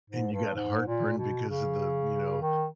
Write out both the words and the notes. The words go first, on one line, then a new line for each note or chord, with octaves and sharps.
And you got heartburn because of the, you know,
G#2
G2
G#2
A#2
B2
C#3
D#3